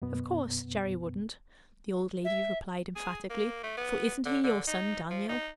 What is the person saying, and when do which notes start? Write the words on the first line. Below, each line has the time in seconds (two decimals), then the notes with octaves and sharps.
"Of course, Gerry wouldn't," the old lady replied emphatically, "for isn't he your son, Daniel?"
0.02 F#2 B2 B3
2.25 E5
2.96 G#4
3.30 A#3
3.63 A3
3.77 B3
4.25 D3
4.44 D3
4.67 D#4
5.10 F3
5.29 D#4